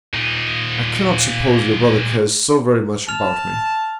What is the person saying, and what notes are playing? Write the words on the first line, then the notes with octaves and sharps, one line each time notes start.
I cannot suppose your brother cares so very much about me.
A#2 D#4
A5 F6 F7